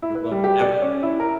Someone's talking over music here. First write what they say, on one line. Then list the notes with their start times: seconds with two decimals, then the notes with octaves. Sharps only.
You're welcome, have a
0.02 E4
0.15 B4
0.31 G3
0.44 G4
0.61 D5
0.82 C#4
1.03 E4
1.20 A#4